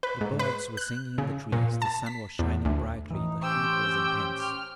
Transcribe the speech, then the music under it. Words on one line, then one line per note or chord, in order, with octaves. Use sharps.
The birds were singing in the trees, the sun was shining brightly, the heat was intense.
B4
G#2
B4
F#6
C#3
A#2
A5
B6
E2
D2
A2 E3 D#4
C#4 G4 C5 G5 E6
F6